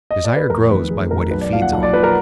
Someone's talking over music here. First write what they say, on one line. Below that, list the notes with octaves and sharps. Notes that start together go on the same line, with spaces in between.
Desire grows by what it feeds on.
D#5
D5
B4
F1 A#4
F2 D#3 B4
F1 G#4
F2 D#3 A#4
B1 B4
D5
A#2 F3 F5
F#5
B1
D5
A#2 F3 B4
A#4